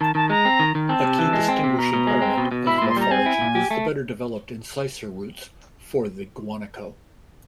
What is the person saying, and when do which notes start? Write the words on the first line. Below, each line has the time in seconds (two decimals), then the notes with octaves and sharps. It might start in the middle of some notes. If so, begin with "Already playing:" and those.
A key distinguishing element of morphology is the better-developed incisor roots for the guanaco.
0.01 D#3 A5
0.15 D#3 A5
0.30 G#3 A#5
0.45 C4
0.60 D#3
0.75 D#3
0.89 C4 A5
1.05 C3
1.19 E3
1.33 G#3
1.49 C4
1.64 C3
1.78 B2 A#5
1.93 B2
2.07 G#3
2.22 C4
2.38 B2
2.51 B2
2.67 E4 B5
2.78 C6
2.82 A#2
2.89 C6
2.96 G3 A#5
3.11 C4 G#5
3.26 E4
3.41 A#2
3.55 G4
3.71 A3